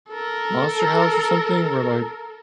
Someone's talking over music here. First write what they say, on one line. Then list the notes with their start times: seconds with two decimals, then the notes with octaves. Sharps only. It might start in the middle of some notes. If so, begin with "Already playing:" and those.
Monster House or something where, like,
0.10 A4 A#4